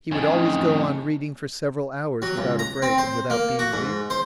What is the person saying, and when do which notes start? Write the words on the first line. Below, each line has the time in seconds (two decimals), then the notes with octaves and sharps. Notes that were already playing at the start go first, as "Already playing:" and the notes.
He would always go on reading for several hours without a break and without being weary.
0.12 F2 A2 C#4 D#4
2.22 F#3
2.38 C#2
2.59 A#5
2.82 C4
2.98 C5
3.30 A#3
3.59 F#4
3.73 G#2
4.10 C5